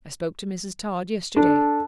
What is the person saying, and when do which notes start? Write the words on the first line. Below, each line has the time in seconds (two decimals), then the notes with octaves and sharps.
I spoke to Mrs. Tod yesterday.
1.37 D4 A4